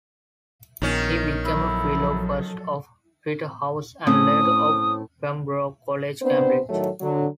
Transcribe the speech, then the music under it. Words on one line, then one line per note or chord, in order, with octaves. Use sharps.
He became a Fellow first of Peterhouse, and later of Pembroke College, Cambridge.
A#1 D#3 B3 C#4
F3 F#3 E4 A4
A2 C4 C#4 D#6
B3 C4 D4 C5
A2 D#3 F#3 A3 A4
D3 F#3